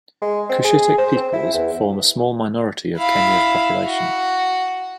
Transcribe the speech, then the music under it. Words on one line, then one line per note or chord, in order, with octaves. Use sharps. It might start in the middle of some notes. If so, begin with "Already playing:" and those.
Cushitic peoples form a small minority of Kenya's population.
G#3
C4
G#4
C5
C4
E4
E2
E4 F5
F#4